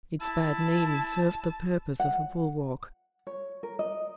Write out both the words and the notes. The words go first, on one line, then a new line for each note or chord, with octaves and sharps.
Its bad name served the purpose of a bulwark.
E4 A5
F#5
C#5
A#4
D#5